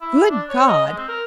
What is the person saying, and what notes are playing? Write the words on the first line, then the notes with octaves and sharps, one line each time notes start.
"Good God!"
E4
D4
C#5
D#5
G#3
C4
A#4